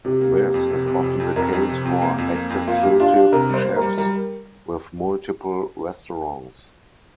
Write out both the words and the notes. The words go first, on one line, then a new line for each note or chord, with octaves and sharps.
This is often the case for executive chefs with multiple restaurants.
C3 G4
A#3
A#3
F2
C3
C3
F2
F2
F2 A#4
F2
C3
F2
A#3
F2
A#3
F2
A#3 F4
A#3 G4
D4 F4
D4 G4
C3 A#4
G3 C5
A#3
A#4
G3
G3 A#4